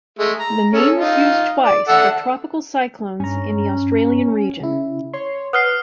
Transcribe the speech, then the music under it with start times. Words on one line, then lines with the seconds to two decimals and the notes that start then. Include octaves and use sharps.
The name was used twice for tropical cyclones in the Australian region.
0.19 G#3 A3
0.39 A#5
0.73 C#4 G#4 A4
0.99 D#4 F4
1.63 D5
1.88 A4 E5 F#5
3.20 G2 C#4 A#5
4.60 C#3 E4
5.14 C#5 C6
5.53 B4 F#5 D#6 F6 C7